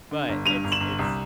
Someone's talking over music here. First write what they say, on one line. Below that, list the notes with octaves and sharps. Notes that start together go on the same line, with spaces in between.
but it's it's,
D3
G1
G2 D#7 F7
G1
E7 F#7
G1
C2